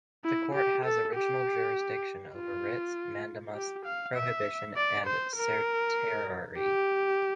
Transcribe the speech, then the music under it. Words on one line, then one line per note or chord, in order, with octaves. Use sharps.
The Court has original jurisdiction over writs of mandamus, prohibition, and certiorari.
E4
G4
A4
G4
F4
G4
F5
E5
D5
C5
A#4
G4